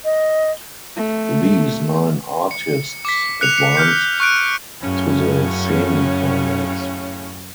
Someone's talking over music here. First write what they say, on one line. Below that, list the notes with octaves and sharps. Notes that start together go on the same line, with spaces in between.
These nine artists advanced to the Semifinals.
D#5
A3
C#7
D6 B6
F#6 C#7 F7
C#7
F6 G6 C#7
C#6 F#6 D7
F#2 A2 C#3 C#4